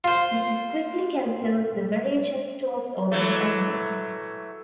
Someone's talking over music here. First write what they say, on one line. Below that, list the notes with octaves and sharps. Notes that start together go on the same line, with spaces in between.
Mrs. Quickly cancels the marriage and storms off in anger.
F4 C5
E3 F#3 A3